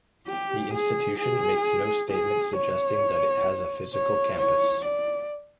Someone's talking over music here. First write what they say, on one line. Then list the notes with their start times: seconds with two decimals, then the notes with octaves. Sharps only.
The institution makes no statement suggesting that it has a physical campus.
0.27 G4
0.73 G#4
1.19 G#4
2.10 G#4
2.56 C#5
3.93 C#5
4.39 C#5
4.85 D5